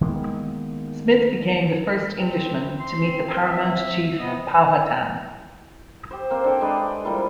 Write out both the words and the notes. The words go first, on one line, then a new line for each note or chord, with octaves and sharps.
Smith became the first Englishman to meet the paramount chief Powhatan.
D#3 G#3 A#3 B3
C4
C6
E5
C3 B3 D#5
G4 C5
A#3 C4
D4 A4 G5
G#3 D4 G4 B4
G5
F3 G3 A#3 E4